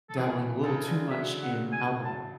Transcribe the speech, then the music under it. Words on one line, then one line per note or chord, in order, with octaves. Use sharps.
dabbling a little too much in alcohol.
A4
E3 G#4
C#3 A4
D3
F#3 E5
F#5
G#5
A5